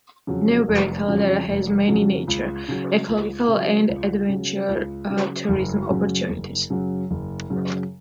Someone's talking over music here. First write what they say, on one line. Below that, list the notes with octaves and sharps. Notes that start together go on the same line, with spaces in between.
Newberry Caldera has many nature, ecological, and adventure tourism opportunities.
F2 C#3 F#3
F1
F2 C#3 F#3
F1
F2 C#3 F#3
C#2
C#3 F#3
C#2
C#3
F#3
C#2
C#3 F#3
C#2
C#3 F#3
F#1
F#2 C#3 F#3
F#1
F#2 C#3 F#3
F#1
F#2 C#3 F#3